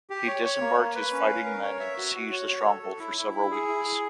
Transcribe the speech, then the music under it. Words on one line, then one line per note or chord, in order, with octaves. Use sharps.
He disembarked his fighting men and besieged the stronghold for several weeks.
G4
C#5
C#5
A#3
A#3
B4
C#4
F5
A#4
C#5
E5
F#4
F#4
C#5
C#5
A4
A4
E4
E4
E4
G#4
E4
G#4